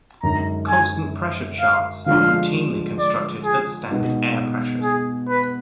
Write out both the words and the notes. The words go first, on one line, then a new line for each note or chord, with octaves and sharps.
"Constant-pressure" charts are routinely constructed at standard air pressures.
F#2 D3 G#3 D#4 A#5
G#5
F5
D3 F3 G#3 D4 F4 F5
D5
G#4
B2 G#3 B3 D#4
G#4
B4